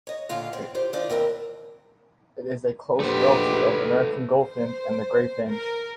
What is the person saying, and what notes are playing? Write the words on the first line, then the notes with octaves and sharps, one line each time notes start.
It is a close relative of the American goldfinch and the gray finch.
C#5 D#5
D#2 A#2 D3 F4 F5
C4 C#5
F4 G4 C5
D#3 D4 D#4 F4 D5
D#2 C4 A#4 B4
A#1 A3 G4 B4 C5
C5
A#4